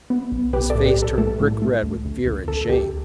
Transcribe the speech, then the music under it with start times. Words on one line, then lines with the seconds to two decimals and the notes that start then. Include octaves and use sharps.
His face turned brick-red with fear and shame.
0.10 B3
0.32 B1
0.53 B1 G4 B4
0.70 A4 D5
0.75 A2
0.86 G4 B4
0.97 B1
1.02 A4
1.18 A3 A4
1.40 A2
1.62 A3
1.83 D2
2.05 D2
2.26 D2
2.48 D2 A4
2.70 D2 G4